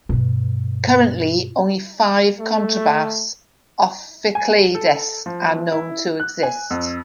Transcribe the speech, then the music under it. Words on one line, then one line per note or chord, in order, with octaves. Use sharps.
Currently, only five contrabass ophicleides are known to exist.
G2 B2
A3
G#5
A4
F3
E4
F#6
G#5
F2